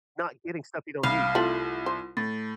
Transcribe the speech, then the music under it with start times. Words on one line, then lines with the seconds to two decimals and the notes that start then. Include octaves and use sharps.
not getting stuff you don't need.
1.03 C2 F5 B5
1.35 A3 C4 E4 F4 F#7
1.86 C5
2.17 A2 A6